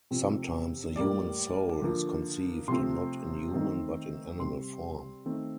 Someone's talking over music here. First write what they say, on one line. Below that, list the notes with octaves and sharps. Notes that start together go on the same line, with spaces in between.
Sometimes the human soul is conceived not in human but in animal form.
C3 F3 C4
A2 G3 A#3 D5
D3 F3 A#3
C3 F3 A3 C4 C6
D#3 A3 C4
C3 G3 C4 C6
D#3 A3 C4